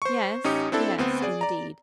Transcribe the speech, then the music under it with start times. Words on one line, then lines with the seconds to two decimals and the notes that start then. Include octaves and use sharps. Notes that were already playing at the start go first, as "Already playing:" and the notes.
'Yes, yes, indeed.
0.02 C5 C#6
0.44 A1 C#4 D#4 G4 D#6 C#7
0.72 C4 D4 E4 A4
0.98 D2 B3 C4
1.22 G#4 D5
1.41 D5 A#5